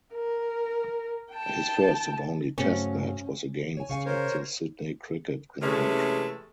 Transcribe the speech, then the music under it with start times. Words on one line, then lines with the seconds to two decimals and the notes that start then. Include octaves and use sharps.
His first and only test match was against at the Sydney Cricket Ground.
0.13 A#4
1.31 G5 A5
2.58 G2 C#3 F#3 A3 C#4
3.77 C#5 G#5
3.89 C#3 F5 G#5 C#6
4.06 A#4 C5 C#5
5.61 C3 E3 G#3 A3 C#4